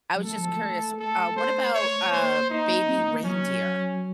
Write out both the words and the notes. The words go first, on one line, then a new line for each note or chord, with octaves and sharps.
I was just curious, w uh, what about, uh, Baby Reindeer? Have
F#3
A3 A4
F3
A3
A4
A3 C5
C#5
A#3 C5
D#4
C4
A#3
A#3
F#3 C#4